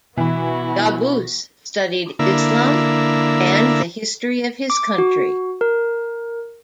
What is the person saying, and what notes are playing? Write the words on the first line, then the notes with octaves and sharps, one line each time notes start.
Qaboos studied Islam and the history of his country.
B2 E3 B3 E4 F#4
D3 A#3 E4
D6
F#4
A#4